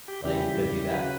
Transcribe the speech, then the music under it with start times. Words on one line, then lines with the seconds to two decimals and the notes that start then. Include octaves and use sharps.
like, he could do that.
0.08 G4
0.25 C#3 E3 G3 G4
0.93 C#3 F#3 B4